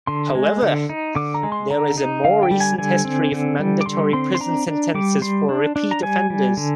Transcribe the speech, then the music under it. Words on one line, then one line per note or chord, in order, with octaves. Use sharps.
However, there is a more recent history of mandatory prison sentences for repeat offenders.
D3 C6
G#3
D3
D#4
D3 D6
A#5
G#3
C6
D3 A#5
D#4
D3 F5
G5
G3
G#5
D3 G#5
C4
D3
G3
D6
D3 C6
C4 C6
C6
D4 A#5
D4
G3 D6
G3 C6
D4
D4
A#5
G3 G#5
G3
D3